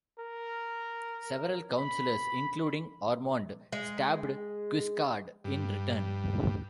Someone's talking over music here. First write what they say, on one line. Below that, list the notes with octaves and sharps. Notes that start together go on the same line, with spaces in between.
Several Councillors, including Ormonde, stabbed Guiscard in return.
A#4
B5
G#3
G2